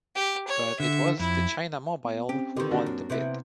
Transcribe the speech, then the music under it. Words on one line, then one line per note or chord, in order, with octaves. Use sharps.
But it was the China Mobile who won the bid.
G4
C#5
D3 E5
F2 E4
B3
C4 C#4 G4
D3 D#3 G4 B4 C6
A#3 D4 F#4 A#4 D5
F#2
C3 B3 E4